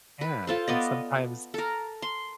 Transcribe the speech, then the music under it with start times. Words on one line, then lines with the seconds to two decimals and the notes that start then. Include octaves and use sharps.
Yeah, and sometimes
0.21 B4
0.47 F4 A4 C5
0.68 B3 D5 D#5
1.54 A4 A#4
2.02 C6